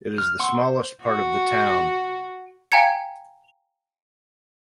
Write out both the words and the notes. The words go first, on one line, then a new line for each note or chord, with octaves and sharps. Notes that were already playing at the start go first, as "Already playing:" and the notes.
It is the smallest part of the town.
F6
F#5 C6 C#6 E6
C5
F#4
F5 G5 G#5 A#5 G#6 C#7